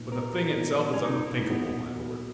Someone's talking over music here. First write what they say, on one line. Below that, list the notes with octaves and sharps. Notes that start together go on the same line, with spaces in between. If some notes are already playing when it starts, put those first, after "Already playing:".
But the thing itself is unthinkable, my lord.
Already playing: A#2 B3 D#4
B3 A#4
F#3
D#4
B3
B3
C#4
A#2 D#4
D#4 E4
B3 D#4
A#2
F#3